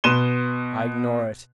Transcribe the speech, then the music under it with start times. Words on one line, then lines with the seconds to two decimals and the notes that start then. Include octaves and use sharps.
I ignore it.
0.04 B2 B4 C6 D#7 E7 G7